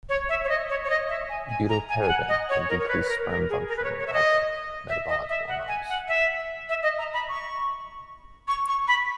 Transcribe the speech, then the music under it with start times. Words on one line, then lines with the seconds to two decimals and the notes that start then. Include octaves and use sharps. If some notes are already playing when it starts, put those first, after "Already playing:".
Butylparaben can decrease sperm function and alter metabolic hormones.
0.09 C#5
0.29 E5
0.45 C#5
0.49 D#5
0.69 C#5
0.84 C#5
0.90 D#5
1.09 E5
1.29 G#5
1.49 G#5
1.69 A#5
1.89 G#5
2.02 G#5
2.09 F#5
2.29 D#5
2.49 C#5
2.69 A#4
2.80 C#5
2.88 B4
3.05 B4
3.09 A#4
3.29 A#4
3.49 G#4
3.68 A#4
3.77 B4
3.84 C#5
3.99 C#5
4.07 E5
4.13 D#5
4.89 E5
5.09 D#5
5.29 E5
5.48 F#5
5.68 G#5
5.89 F#5
6.08 E5
6.69 E5
6.83 D#5
6.99 A#5
7.13 B5
7.29 C#6
8.48 C#6
8.68 C#6
8.88 B5